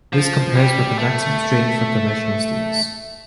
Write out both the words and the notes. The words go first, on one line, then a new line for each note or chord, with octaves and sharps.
This compares with a maximum strain for conventional steels.
F3
G3
A3